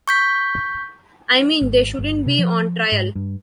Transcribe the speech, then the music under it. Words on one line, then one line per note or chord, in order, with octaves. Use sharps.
I mean, they shouldn't be on trial.
C#6 G6 B6
G#1
G1
C3
F3
G#2
G2